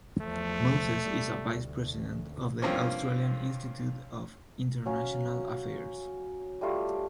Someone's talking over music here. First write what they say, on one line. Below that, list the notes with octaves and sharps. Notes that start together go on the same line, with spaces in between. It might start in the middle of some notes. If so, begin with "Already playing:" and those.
Moses is a Vice-President of the Australian Institute of International Affairs.
E2 F3 A3
G3
D2
G2 F3 A#3 C4 C#4
F#3 C#4 F5
G3 A3 F4 G4